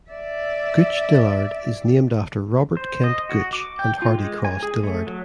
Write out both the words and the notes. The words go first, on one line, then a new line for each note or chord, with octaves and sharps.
Gooch Dillard is named after Robert Kent Gooch and Hardy Cross Dillard.
D5 E5
C5
D#5
F#4
D6
G5
F4
G#3
G#5
G#4
A3
F#3